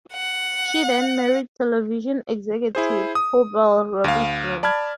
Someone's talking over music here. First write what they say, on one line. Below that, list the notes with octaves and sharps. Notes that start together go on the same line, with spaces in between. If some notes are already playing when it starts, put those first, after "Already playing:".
She then married television executive Hubbell Robinson.
F#5
E4 G#4 C5
D#6
D2 F5
D5 A5 B5 F6 G#6